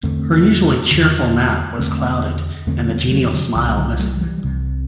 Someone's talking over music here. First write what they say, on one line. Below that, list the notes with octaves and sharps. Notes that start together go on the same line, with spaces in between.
Her usually cheerful map was clouded, and the genial smile missing.
E2 D3 A3 C4
E2 D3
E2 D3 A3 C4
E2 D3 A3 C4
G3 B3
F#3 A3
E3
D3 F#3
C2 C3 E3
G3
D3 F#3
F#3 A3
F#3
E3 G3
C2 C3